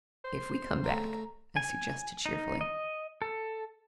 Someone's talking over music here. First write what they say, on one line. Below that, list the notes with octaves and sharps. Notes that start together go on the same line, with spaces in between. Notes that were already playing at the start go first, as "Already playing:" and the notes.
"If we come back," I suggested cheerfully.
C5
C#3 A3 A#5
G#5
D#4
D#5
A4